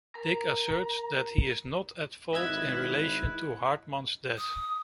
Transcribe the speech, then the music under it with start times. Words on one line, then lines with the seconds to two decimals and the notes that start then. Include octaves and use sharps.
Dick asserts that he is not at fault in relation to Hartman's death.
0.15 A#4 A#5
2.34 G#1 E4 B4 D#5 E5 E6 G#6
4.38 D#6